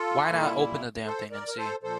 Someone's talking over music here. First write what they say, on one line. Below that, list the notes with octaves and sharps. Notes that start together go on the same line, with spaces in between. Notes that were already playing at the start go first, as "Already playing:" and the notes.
Why not open the damn thing and see?
Already playing: F4 A4
A#2 G3 A#3 E4
A4 C5
A#4 D5
A#4
A4 C5
A#2 F3 A4 C5